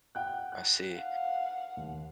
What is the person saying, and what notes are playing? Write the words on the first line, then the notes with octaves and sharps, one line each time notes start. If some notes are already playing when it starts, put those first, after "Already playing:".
I see.
F#5 G5 F#6
F#6
F5 F#5
D#2